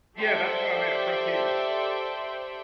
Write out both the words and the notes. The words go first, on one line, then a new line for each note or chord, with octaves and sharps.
Yeah, that's what I meant, frontiers.
G4 A4 C5 D5 E5 G5